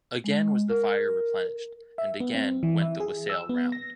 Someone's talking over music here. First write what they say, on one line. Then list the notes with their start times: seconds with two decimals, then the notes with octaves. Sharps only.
Again was the fire replenished, and again went the wassail round.
0.24 G#3
0.70 A#4
1.98 E5
2.20 B3
2.34 C4
2.63 E3
2.82 E5
3.00 G#4
3.30 E6
3.49 B3
3.72 A#6